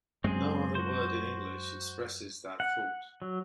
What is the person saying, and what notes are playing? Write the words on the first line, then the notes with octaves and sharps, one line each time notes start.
No other word in English expresses that thought.
F#2 G#3 C4 G#4
F#4 C5
F#5
F#3